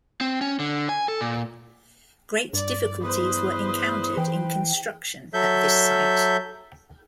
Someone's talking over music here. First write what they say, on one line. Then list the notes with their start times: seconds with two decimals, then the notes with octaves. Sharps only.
Great difficulties were encountered in construction at this site.
0.21 C4
0.41 C#4
0.59 D3
0.89 G#5
1.08 A4
1.21 A#2
2.53 G2 D5
3.03 E2 B4 C5 D#6
4.17 E3 G5
5.34 F#3 A4 E5 G6